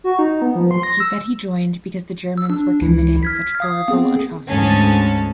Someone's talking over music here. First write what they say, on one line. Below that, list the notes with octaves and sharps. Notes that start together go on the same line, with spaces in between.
He said he joined "because the Germans were committing such horrible atrocities".
F#4
D#4
B3
F3
C6
A#6
E6
E6
D4
C#2 E3 E4
F6 G#6 B6
F5 D#6
B3 C4 G#4
D2 G#2 C#4 A5